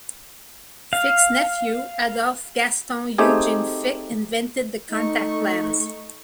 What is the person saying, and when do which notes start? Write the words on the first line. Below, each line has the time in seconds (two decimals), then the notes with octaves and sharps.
Fick's nephew, Adolf Gaston Eugen Fick, invented the contact lens.
0.93 F5
3.18 A3 C4 D#4 G4 G#4
4.91 A3 D#4 C#6